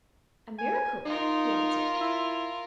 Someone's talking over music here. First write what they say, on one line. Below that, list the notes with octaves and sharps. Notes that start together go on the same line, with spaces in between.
"A miracle," he answered.
G#5
D#4 F4 A#4
E4